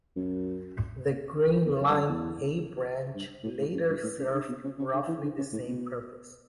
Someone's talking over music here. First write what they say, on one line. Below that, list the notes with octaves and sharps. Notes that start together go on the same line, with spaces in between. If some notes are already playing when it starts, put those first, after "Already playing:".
The Green Line "A" Branch later served roughly the same purpose.
F#2
E2
F#2
G2
F#2
E2
G2
A2
A2
F#2
G2
A2
C#3
D3
B2
C#3
C#3
D3
E3
D3
C#3
A2
B2